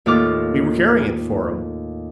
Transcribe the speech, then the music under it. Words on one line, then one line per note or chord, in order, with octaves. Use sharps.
"We were carrying it for him."
D#2 A2 F4 A4 D6 F6